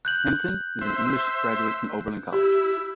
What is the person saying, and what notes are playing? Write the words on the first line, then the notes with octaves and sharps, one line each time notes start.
Hamilton is an English graduate from Oberlin College.
F#6 G6 F#7
C5 E5
E4 G4